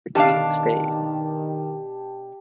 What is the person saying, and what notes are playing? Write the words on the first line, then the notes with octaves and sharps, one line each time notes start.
The King stayed.
B2 D#3 D4 G4 F5 A5